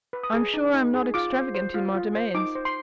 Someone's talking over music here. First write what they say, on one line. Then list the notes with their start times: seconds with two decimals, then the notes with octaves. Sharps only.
I am sure I am not extravagant in my demands.
0.13 B4
0.23 D#6
0.33 G#4
0.54 D#4
0.74 D#4
0.94 G#4
1.14 F4 D6
1.35 C5
1.54 C5
1.74 F4
1.95 F4
2.15 C5
2.34 D#4 D6
2.55 C5
2.65 C6